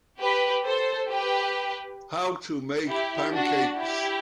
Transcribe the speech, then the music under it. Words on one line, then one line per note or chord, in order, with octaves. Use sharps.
How to make pancakes.
G4 B4
A4 C5
G4 B4
E4 G4
D4 F#4
E4 G4